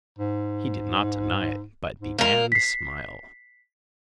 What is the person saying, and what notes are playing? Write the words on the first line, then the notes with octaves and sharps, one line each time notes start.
He did not deny it, but began to smile.
G#2
G#2
G#3 A#3 A#4
B6 C7